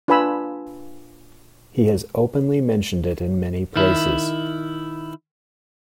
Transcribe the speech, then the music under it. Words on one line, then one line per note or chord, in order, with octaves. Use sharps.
He has openly mentioned it in many places.
D4 F4 B4 G#5 B5 E6
D#3 E4